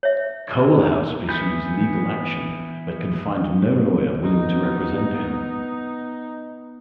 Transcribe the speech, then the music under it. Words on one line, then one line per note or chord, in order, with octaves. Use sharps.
Coalhouse pursues legal action, but can find no lawyer willing to represent him.
C#5 E5
E3 B3 G6
B3 D#4